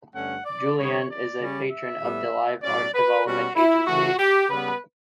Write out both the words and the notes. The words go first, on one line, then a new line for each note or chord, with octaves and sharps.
Julien is a patron of the Live Art Development Agency.
G2 D3 A3 C#4 F#5
D5
D3 G3 B3 C#5
D5
C#3 G3 C#4
E5
A2 G3 B3
A2 F#3 C#4 D5
B4
B2 G3 C#4 F#4
E4
C#3 E3 A3 F#4
G4
C#3 G3 B3 B4